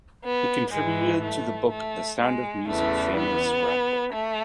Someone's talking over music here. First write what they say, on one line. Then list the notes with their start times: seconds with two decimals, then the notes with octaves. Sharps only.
He contributed to the book "The Sound of Music Family Scrapbook".
0.23 B3
0.73 G#2 E3 G#3
1.22 A3
1.70 A3
2.19 G#3
2.68 E2 C#3 E3 A3
3.16 B3
4.14 A3